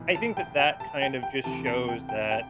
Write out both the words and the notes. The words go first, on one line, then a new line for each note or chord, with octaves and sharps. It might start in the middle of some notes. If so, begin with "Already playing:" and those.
I think that that kind of just shows that
Already playing: B1 A2 E3
A5
G5
G5
A5
G5
G5
D2 C3 E3 A5
A5
G5
G5
G5